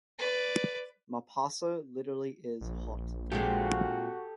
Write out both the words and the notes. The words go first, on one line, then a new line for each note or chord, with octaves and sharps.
Mapaso literally is "hot".
B4 D5
A#1
A#2 G#3 C4 F#4 G4 A4